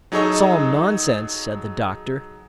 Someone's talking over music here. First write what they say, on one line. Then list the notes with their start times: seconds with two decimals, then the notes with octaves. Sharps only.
"Solemn nonsense," said the doctor.
0.12 F#3 D#4 G#4 A4 C#5 D#5